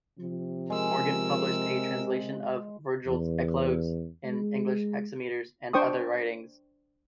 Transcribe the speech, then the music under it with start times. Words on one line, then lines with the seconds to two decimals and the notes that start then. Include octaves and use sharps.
Morgan published a translation of Virgil's "Eclogues" in English hexameters, and other writings.
0.19 C3 F3
0.70 G#3 A#4 E6
3.07 E2
4.25 G#3
5.73 D4 C5 G5 C#6 D#6